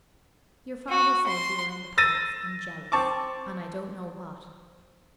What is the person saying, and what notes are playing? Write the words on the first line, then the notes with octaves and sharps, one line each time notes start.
Your father says you are in the pouts, and jealous, and I don't know what.
F#4
C6
E6 A6 A#6 D#7
C4 A5 C#6 D6